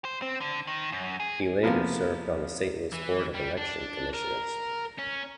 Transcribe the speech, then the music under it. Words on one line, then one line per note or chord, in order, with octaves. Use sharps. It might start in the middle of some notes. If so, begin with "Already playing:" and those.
He later served on the Saint Louis board of election commissioners.
C5
C4
D3
D#3
F#2
G#4
C3 F3 A#3 B3
E3
G3
D4
A#4
C#4